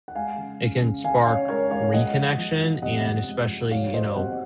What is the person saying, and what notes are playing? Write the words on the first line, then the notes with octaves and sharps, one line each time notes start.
it can spark reconnection and especially, you know,
F#5
G#3 F5 G#5
C#3
C#3
C#3
C#3 F5 G#5
C#3 C#5 F5
G#3 A#4 C#5
G#3 C#5 F5
F3 D#5 F#5
G#3
F3
F3
C3 D#5 F#5
C3
G#3
F3
F#3 C#5 F5
F#3 C5 D#5
C3 D#5 F#5